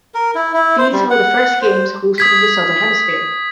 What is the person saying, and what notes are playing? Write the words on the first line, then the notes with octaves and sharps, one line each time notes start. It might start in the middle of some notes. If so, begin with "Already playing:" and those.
These were the first Games hosted in the southern hemisphere.
A#4
E4
E4
C5
G3
F#5
C5
D#6 G#6 B6